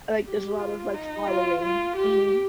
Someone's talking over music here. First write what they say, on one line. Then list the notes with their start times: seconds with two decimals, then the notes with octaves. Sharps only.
like, there's lot of, like, following. Mhm.
0.26 G4
0.60 F4
0.94 D#4
1.28 F4
1.62 F4
1.96 G4